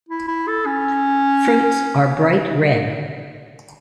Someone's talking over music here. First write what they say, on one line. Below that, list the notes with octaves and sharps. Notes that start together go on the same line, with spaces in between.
Fruits are bright red.
E4
E4
A4
C#4